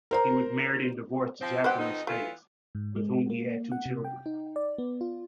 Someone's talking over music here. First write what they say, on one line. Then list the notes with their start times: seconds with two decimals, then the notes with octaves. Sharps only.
He was married and divorced to Jacqueline Stakes, with whom he had two children.
0.11 A#4 C5 A#5
1.41 F3 C4
1.64 F#2 B2 G4 B4 C5 F#5
1.78 F2 B2 D#4
2.07 E3 A3 B3 F4
2.75 G#2
2.96 G#3
3.30 A#3
3.72 F#5
3.86 C3
4.04 G5
4.26 D#4
4.56 D5
4.78 B3
5.01 F4